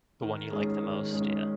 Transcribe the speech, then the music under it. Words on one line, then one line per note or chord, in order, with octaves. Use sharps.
The one you like the most, yeah.
D#3
G#3 C#4 G#4
D#3
G#3 C#4 G#4